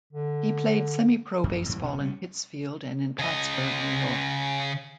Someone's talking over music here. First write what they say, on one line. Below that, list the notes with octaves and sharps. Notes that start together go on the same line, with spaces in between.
He played semipro baseball in Pittsfield and in Plattsburgh, New York.
D3
A1 F#2
F2 A2 E3 G3
A1 B2 C#4
G3 C#4
C#3 D#5